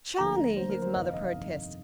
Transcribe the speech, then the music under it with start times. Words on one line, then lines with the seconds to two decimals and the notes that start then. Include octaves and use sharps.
"Charlie!" his mother protested.
0.18 D2 D3 F3 A#3 A#5
0.56 D2 D3 F3 A#3 C5
0.70 A#4
0.82 C5
0.94 G1 F2 C3 D#3 D#5
1.04 F5
1.14 D#5
1.23 F5
1.33 G1 F2 C3 D#3 D#5